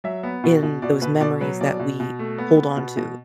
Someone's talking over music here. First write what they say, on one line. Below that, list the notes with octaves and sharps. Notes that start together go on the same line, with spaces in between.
in those memories that we hold on to,
F#3 E5
B3
B2
B2
B2 D5
B2 B4
B2 D5
F#3 B4
B2 D5
B2
B2
A3
B3
B3
B2
B2